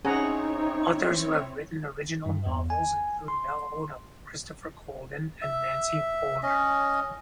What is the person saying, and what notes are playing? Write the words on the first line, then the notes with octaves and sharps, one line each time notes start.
Authors who have written original novels include Mel Odom, Christopher Golden, and Nancy Holder.
C4 C#4 D#4 E4 G#4 C#5 F#5 A#5
G2
E2
G#5
C6
E5
C#4 D#5